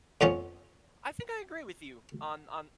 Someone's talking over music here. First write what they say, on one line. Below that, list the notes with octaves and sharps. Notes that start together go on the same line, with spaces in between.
I think I agree with you on on
F2 F3 B3 C#4